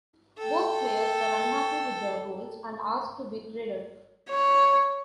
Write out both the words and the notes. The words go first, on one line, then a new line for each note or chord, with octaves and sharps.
Both players were unhappy with their roles and asked to be traded.
A4 G5
C#5